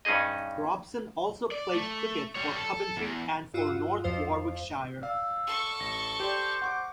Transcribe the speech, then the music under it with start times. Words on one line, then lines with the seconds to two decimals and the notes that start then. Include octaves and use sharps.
Robson also played cricket for Coventry and for North Warwickshire.
0.05 G2 C#4 D#4 G#4 D#5
1.52 D5
1.74 A3
2.35 G3 C#5
2.56 A4
2.97 E2
3.54 G2 F4 F#4 E6
4.04 F2 F3 C5 F5
5.02 D5 F5 E6
5.47 A4 C#6
5.80 A1 A#6
6.20 G4 C5 D5
6.62 F#5 C#6 D6